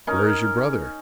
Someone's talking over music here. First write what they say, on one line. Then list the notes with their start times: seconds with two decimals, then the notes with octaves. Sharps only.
"Where is your brother?"
0.07 C#4 D#4 A#4